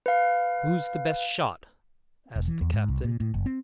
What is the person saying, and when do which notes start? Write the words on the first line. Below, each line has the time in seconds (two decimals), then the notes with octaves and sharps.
"Who's the best shot?" asked the captain.
0.06 B4 F5
2.36 E1
2.48 E3
2.61 E2
2.73 G#2
2.88 C2
3.04 A#2
3.20 A2
3.34 F#1
3.46 C4